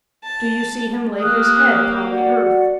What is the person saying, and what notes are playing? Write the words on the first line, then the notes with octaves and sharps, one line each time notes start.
Do you see him lay his head upon the earth?
A5
A#3 G4 D#6 F6 F#6
F#4 D5 F#5